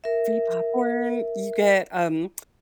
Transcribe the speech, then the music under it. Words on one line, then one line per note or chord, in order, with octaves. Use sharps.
Free popcorn, you get, um
A#4 E5